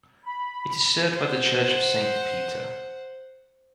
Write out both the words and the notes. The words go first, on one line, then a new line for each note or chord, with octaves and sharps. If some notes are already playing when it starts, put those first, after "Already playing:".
It is served by the Church of Saint Peter.
B5
C5 F#5